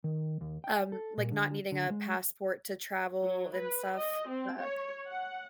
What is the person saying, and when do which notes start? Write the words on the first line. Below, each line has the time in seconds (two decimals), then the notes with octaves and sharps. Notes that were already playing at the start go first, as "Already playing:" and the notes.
um, like not needing a passport to travel, and stuff, uh,
0.04 D#3
0.41 D#2
0.64 G5
0.92 A4
1.18 A#2
1.32 D3
1.72 D3
1.90 G#3
3.23 F#3
3.56 B4
3.95 D#5
4.29 C4
4.60 C#5
5.08 F#5